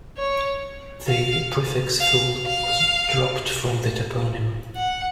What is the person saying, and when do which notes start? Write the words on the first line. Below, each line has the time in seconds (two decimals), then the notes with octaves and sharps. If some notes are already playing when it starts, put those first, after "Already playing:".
The prefix "ful-" was dropped from the toponym.
0.18 C#5
1.09 F5
2.01 F5
2.47 F5
4.76 F#5